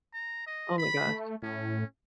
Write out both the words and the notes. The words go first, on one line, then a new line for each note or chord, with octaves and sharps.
Oh my gosh.
A#5
D#5
B5
A3
A2 C#4